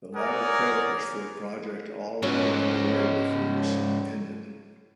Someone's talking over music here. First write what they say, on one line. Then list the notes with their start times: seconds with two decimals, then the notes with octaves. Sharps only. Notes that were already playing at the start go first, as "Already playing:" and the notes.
The latter credit was for a project already underway before the suit ended.
0.15 A#4 C#5 D5 F#5 G#5 D#6
2.23 G#2 F#3 C#4